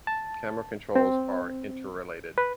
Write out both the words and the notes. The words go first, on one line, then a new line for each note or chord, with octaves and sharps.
Camera controls are interrelated.
A5
C4
B4